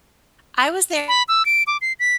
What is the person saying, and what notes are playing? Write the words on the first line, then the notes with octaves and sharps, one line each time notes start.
I was there
B5
E6
D7
D6
C7
B6